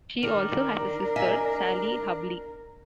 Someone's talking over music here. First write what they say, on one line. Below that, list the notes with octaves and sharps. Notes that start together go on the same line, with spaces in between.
She also has a sister, Sally Hubley.
D#3 D4 A#4
D#5 E5 G#5